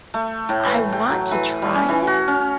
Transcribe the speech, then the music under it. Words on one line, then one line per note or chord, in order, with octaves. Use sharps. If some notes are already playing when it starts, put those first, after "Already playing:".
I want to try it,
A3
A2
E3
G5
F#3
E3
G3
C#4
E3
F#4
C#4